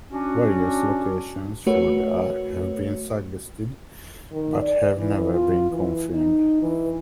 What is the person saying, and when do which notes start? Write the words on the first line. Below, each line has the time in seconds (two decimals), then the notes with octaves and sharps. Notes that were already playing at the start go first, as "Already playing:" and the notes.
Various locations for the ark have been suggested but have never been confirmed.
0.12 C#4 D4 F#4
1.67 A3 F#4 A#4 B4 C#5
4.32 D#3
4.61 D5
4.98 E3
5.34 F4
5.71 E3
6.14 D#4
6.62 E3